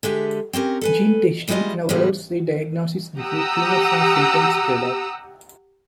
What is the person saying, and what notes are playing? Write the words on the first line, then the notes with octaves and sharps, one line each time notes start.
Gene testing now allows a diagnosis before tumors or symptoms develop.
D3 G#3 G4 E5
C4 C#4 G4 A#4
A4 B4 G#5
E3 G3 G#3 E4 F4 D#5
A2 C#3 G3 G#3 B3
G4 F#5 A#5 D#6 E6